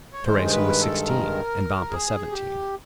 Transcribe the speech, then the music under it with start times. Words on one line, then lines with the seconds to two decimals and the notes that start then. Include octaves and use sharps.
Teresa was sixteen, and Vampa seventeen.
0.13 C#5
0.24 G2 D#3 G#3 C5
0.46 C5
0.53 B4
0.80 A4
1.08 A#4
1.91 G#4
2.32 G4